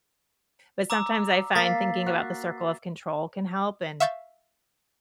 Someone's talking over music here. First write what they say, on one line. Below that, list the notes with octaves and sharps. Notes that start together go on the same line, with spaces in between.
but sometimes I find thinking about the circle of control can help, and
A#5 D6 E6
A#3 A6 B6 C7
F#4
E5 F5 C#6 G6 A6